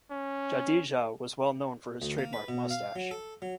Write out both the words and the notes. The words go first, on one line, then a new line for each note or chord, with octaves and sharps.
Jadeja was well known for his trademark moustache.
C#4
D2
A#3
B4
B2
F5
F#3
A4
F#3